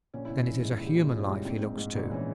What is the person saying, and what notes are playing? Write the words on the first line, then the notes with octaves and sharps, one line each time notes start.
Then it is a human life he looks to!
A#1 C#4
A#1 E4
C#4
E3
G#2
A#1 E4
G4
A#1 F4
E4
A#1 C#4
G#2 G3
A#1 C4
G#2
G#2
A#1
E3 C#4